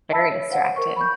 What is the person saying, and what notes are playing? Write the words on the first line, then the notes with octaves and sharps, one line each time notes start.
Very distracting.
E5 A5 B5 E6
C#5
C5 F5 F#5
A#4 C5 C#6
B5 C#6 G6